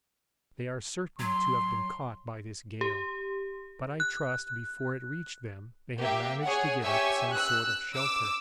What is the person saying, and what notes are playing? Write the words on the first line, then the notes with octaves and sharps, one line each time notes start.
They are certain to have been caught by this gale, but I trust before it reached them they had managed to get up some sort of shelter.
F#3 C6
G4
F#6
A#3 G4 E5
G#4 C#5 F#5
G4 C#5 E5 G#5 C#6 E6
E6 F#6
D6 E6